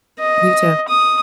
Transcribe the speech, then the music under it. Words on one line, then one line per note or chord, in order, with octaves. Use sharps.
You too.
D#5
D#6